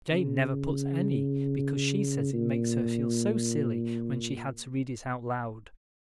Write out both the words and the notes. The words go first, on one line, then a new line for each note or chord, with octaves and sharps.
Jane never puts any because she says it makes her feel so silly when she had to read it out loud.
C#3
A#2